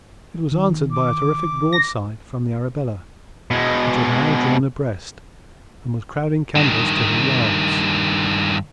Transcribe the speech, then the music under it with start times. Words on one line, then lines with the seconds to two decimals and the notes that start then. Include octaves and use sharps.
It was answered by a terrific broadside from the Arabella, which had now drawn abreast, and was crowding canvas to her yards.
0.52 D#3
0.91 D6
1.73 A#6
3.51 B2 G#3
6.56 G2 D#3